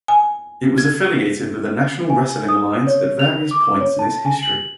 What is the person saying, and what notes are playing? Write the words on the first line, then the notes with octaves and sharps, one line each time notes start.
It was affiliated with the National Wrestling Alliance at various points in its history.
G#5
G#6
G#5
D#6
C#5
F7
D6
C#5
A5
G#5
F#7